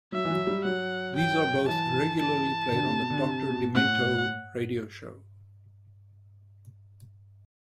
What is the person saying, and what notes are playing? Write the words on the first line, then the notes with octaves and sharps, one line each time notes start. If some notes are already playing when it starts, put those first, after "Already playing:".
These are both regularly played on the "Doctor Demento" radio show.
F#3 E5
E3
F#3
G3
F#3 F#5
G5
E3 A5
A5
D3
C3
B2
D3
C3
B2
A2 F#5